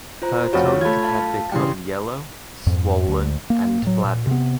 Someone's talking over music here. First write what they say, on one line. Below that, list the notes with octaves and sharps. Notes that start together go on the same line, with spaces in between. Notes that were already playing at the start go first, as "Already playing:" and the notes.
Her tongue had become yellow, swollen, and flabby.
F4 C5 A#5
F1 F4 F#4 C#5
A3 F4 B5 G#6
F5 A5
C#3 E3 G3 G5 C6
F2 G#2
D2
A#3
A2 F#3
A#2
C3 B3